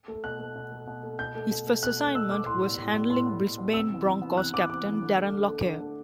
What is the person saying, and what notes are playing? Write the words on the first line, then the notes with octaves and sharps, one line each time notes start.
His first assignment was handling Brisbane Broncos captain Darren Lockyer.
A3
B2 F#6
A3
B2
A3
B2
A3
B2 G6
A3
B2
A3
B2 F#6
A3
B2 E6
A3 D6
A2 C6
G3 B3
A2
G3 B3
A2 C6
G3 B3
A2
G3 B3
C3 E6
E3 B3
C3
E3 B3
C3 F#6
E3 B3 D6
C3 D6
E3 B3
D3
A3
D3
A3
D3
A3